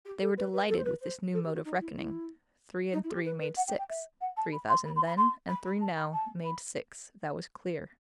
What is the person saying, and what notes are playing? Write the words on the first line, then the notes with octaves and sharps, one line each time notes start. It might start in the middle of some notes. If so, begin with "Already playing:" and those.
They were delighted with this new mode of reckoning; three and three made six, three thousand then and three now made six, that was clear.
G4
A4
B4
B4
A4
C5
B4
C5
A4
G4
F#4
D#4
E4
E4
D#4
E4
A4
G4
B4
B4
F#5
G5
G5
E5
F#5
A5
B5
C6
B5
C6
B5
C6
B5
B5
A5
B5
A5
B5